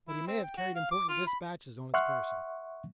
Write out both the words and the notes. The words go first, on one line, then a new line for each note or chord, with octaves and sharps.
But he may have carried important dispatches on his person.
E4
C4
G5
F#4
F5
D6
F4
B5
E5 F#5 C6 C#6 F6 F#6